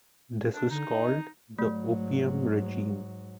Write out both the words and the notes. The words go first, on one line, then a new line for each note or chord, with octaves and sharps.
This was called the "opium-regime".
D4
D3 D#4
D#5
G#2 F#3 A3